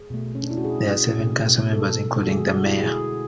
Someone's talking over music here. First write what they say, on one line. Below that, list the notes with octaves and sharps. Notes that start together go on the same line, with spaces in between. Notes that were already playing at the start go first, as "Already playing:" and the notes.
There are seven council members, including the mayor.
Already playing: G#4
B2 A3
C#4
D4
E4
F#4
G#4
B2 A3
A4
F#4
D3 G#3 G#4
F#4
E4
F#4
G#4